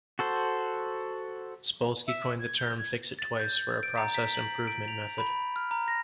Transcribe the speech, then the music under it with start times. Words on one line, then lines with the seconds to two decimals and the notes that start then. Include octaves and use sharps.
Spolsky coined the term "fix it twice" for a process improvement method.
0.19 F#4 A4 C5
2.07 E5
2.39 G#6
2.57 G6
2.78 G#6
3.19 A6
3.38 G6
3.83 D7
3.97 A#5
4.15 B6
4.35 F#7
4.67 D7
4.88 F7
5.18 B5
5.56 F6
5.71 A#5
5.88 A#6